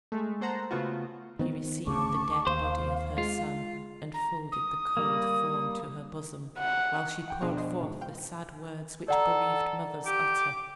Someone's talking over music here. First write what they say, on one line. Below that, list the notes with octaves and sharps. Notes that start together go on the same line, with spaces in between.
She received the dead body of her son, and folded the cold form to her bosom, while she poured forth the sad words which bereaved mothers utter.
G#3 A3
A#3 A4 C5 F#5 A#5
C#3 A3 B3 F4 F#4
D#3 B3 C4
A1 D2 C#3 A5 C#6 D6
D#2 C5 F5
G#3 F4
A#5
D#6
G3 A#3
F#5
F#5 G5
F2 B2 D4 G#4 A#4 C#6
C5 D#5 C6
G#2 C#3 F3
F5 G5
A4 D5 F#5 A#5
G4 D6